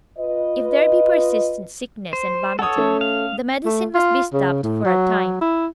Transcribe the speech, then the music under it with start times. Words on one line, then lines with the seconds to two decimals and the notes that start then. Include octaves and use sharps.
If there be persistent sickness and vomiting, the medicine must be stopped for a time.
0.18 F4 B4 D#5
2.13 C5
2.59 A4 C#5 F#5 D#6
2.77 A3 C#4
3.01 F5
3.65 A3
3.94 F4
4.33 C#3
4.63 A2
4.85 F#3
5.41 E4